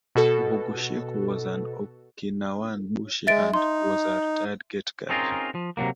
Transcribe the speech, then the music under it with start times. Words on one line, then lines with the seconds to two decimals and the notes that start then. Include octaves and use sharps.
Uhugushiku was an Okinawan bushi and was a retired gate guard.
0.15 B2 F#4 A4
3.27 G#3 E5 A6 D7
3.54 D#4 C6
5.09 C4 C#4 D#4 F4 G#4 A#4
5.55 F3
5.77 C3 F3 F#3 A#3